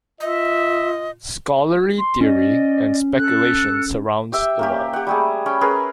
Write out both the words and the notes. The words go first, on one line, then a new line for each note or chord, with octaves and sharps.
Scholarly theory and speculation surrounds the well.
F4 D#5 E5
C6
C#4 D5 D#5
A4 F#6
G4 E5 G5
A#3 C#4 G4
G4 F#5
G3 A3 G#4
C#4 G5 B5
C#4 G#4 A#4 B4